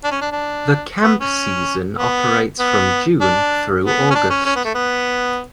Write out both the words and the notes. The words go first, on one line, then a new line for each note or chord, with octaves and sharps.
The camp season operates from June through August.
D4
C#4
D4
D4
B3
C#4
B3
B3
D4
B3
C#4
D4
C#4
C#4
B3
A3
B3